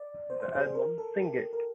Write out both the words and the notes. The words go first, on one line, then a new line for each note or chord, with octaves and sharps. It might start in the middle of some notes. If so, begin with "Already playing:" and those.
The album Sing It!
Already playing: D5
C5
C5
C5
G4
G#4
A#4
A4
G4
G4
A#4